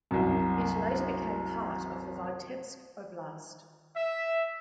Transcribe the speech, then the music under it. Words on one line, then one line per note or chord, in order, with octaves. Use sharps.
It later became part of the Vitebsk oblast.
C2 F#2
E5